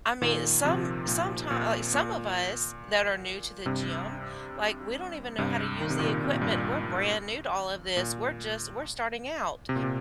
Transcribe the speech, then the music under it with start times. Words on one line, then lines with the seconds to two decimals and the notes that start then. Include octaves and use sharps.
I mean, some sometime like, some of us, that are new to the gym, like, we don't even know how to use the equipment. We're brand new to all of this, we're just we're starting out,
0.22 A#2 D#3
0.65 C3 F3
1.08 A#2
1.51 A#2
1.94 A#2
3.66 G2 C3
5.38 G2 C3
5.81 D#3
5.90 C3
5.99 A#2 D#3
6.24 C3
6.33 A#2
6.41 G2
6.50 A#2
7.97 A#2
9.69 C3
9.76 A#2
9.83 C3